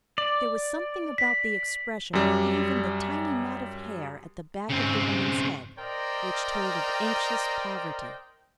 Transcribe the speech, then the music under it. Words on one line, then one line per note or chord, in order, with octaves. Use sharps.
There was something about the expression of even the tiny knot of hair at the back of the woman's head which told of anxious poverty.
D5
B6
F#2 G3
G#2 C#3 C4
A#4 C5 D5 D#5 G5 A#5